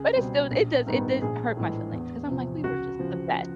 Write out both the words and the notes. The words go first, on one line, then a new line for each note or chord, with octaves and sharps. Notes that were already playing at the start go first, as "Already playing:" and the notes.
But it still it does it does hurt my feelings 'cause I'm like, we were just the best.
Already playing: C#2 G#4
B2 G3 C4
A#1
G#2 D#3 G3 B3
A#1 G#4
A2 E3 G#3
E2
C3 F3
C#2 F#4
C#3 F3